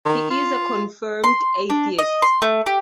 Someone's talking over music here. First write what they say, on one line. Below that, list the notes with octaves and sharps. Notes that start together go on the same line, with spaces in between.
He is a confirmed atheist.
D#3
F4
C6
D4
D#5
C6
A3
G4